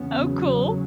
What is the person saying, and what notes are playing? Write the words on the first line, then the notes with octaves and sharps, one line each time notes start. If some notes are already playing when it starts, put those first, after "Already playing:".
Oh, cool.
Already playing: E2 C#3 B3
F#3